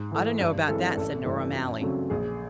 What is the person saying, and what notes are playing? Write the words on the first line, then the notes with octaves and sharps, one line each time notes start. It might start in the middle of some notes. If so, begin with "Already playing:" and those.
"I don't know about that," said Nora O'Malley.
Already playing: G#2
E3 A3
G2
E3 G#3 C4 A4
A1 A4
G2 E3 A3
F#2
C#3 F#3 A3 C4
A#1 G#4